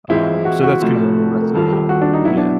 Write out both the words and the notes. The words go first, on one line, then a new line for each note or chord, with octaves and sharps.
Um, so that's kinda what I mean by slow down, yeah.
E3 G#3 C4 E4 F4
F#4
F#4
C3 F3 A3
A4
A4
A#4
D#3 G3 C4 F4 A4
G4
F#4
D4
D#4
B2 F#3 B3 E4
D4